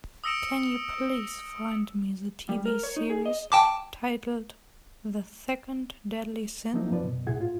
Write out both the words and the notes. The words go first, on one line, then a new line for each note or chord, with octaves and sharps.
Can you please find me the TV series titled The Second Deadly Sin?
D#6 E6 A#6 C#7 D7 E7
G3
A#4
C#5
D#4
G#4
D#5
G5 A5 D6
F3 F#3 A#3 C4 D#4 E4
F#2 F3 B4 D5
F#2 B2
C2 A2 E4 G#4 F#5 G#6
A2 F4